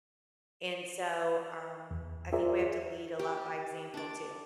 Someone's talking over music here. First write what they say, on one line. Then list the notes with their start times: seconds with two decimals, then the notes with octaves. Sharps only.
and so, um, I think we have to lead a lot by example too
1.91 E2
2.33 F4 G#4 A#4 C5 D5 E5
3.19 G4
3.94 D4 D5